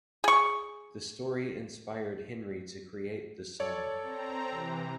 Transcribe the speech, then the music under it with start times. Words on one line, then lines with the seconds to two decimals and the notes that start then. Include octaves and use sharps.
The story inspired Henry to create the song.
0.24 G#4 C#6
3.60 A4 C#5 D5
4.02 C4 A#5
4.49 C3 E3